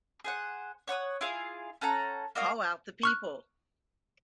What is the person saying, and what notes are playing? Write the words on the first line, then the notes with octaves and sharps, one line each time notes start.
Call out the people!
G#4 C5 F#5
C#5 F#5 C#6 D#6
E4 F4 G#4 F5
C#4 A4 F#5 A#5
A#3 F#4 D#5 F5
C#6 F6 F#6